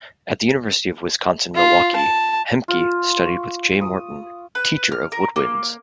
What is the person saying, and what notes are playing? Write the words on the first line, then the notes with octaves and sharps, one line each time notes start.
At the University of Wisconsin-Milwaukee, Hemke studied with Jay Morton, teacher of woodwinds.
F4
A5
F4
C#6
D#6
B4
F6
A#4
A#3